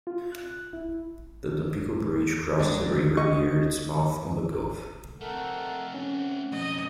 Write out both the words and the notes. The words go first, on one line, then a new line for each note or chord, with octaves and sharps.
The Tampico Bridge crosses the river near its mouth on the Gulf.
F4
F#6
E4
A4
G#2 D4 G4 B4 C#5
D#5 C#6
A3 C4 A4 A#4 F#5
C#4 F#5
F2 B2 D#5